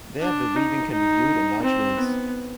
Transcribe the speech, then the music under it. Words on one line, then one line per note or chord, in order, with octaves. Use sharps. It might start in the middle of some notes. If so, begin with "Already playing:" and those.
There the weaving can be viewed on large looms.
D4
D#4
D#4
C4
B3